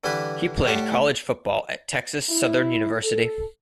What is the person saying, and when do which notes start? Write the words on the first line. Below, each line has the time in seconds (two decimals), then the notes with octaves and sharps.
He played college football at Texas Southern University.
0.04 D3 E3 G3 E4 B4 B5
0.65 A2 G3 G4 F#5 A5
2.29 E4
3.03 A4